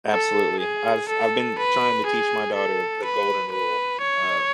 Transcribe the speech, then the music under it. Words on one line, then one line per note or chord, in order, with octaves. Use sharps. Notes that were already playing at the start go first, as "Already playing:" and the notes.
Absolutely. I've I've been trying to teach my daughter the golden rule. Uh,
A4
G#4
A4
B4
G#4
A4
B4
B4
C#5